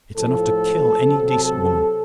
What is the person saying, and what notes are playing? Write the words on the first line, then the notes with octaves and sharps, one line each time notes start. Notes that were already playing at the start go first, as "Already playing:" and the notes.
It's enough to kill any decent woman.
A2 F3 A4
C3 F#3